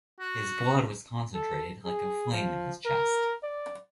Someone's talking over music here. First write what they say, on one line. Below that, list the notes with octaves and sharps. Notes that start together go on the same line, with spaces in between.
His blood was concentrated like a flame in his chest.
F#4
A4
G#4
F3
A#4
D5